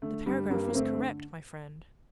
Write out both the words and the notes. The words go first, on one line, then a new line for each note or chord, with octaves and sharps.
"The paragraph was correct, my friend."
D3 A3
G2 G3
G2 G3 A#3
A#3
D3 A3 C4